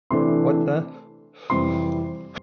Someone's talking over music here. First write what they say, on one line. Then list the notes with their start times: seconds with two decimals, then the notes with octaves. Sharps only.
What the...?
0.11 C3 E3 A3 D4 C6
1.50 F2 C3 E3 G3 C6